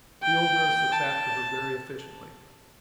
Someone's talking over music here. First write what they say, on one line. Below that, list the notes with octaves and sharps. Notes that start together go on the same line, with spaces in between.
The old nurse looks after her very efficiently.
G5
A5